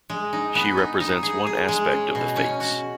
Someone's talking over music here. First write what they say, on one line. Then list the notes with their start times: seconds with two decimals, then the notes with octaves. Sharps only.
She represents one aspect of the Fates.
0.10 G#3
0.33 D#4
0.55 B3
0.77 D#4
1.00 D#4
1.23 G#4
1.47 G#4
1.68 G#3
1.92 C#4
2.15 B2
2.37 C#4
2.60 F#4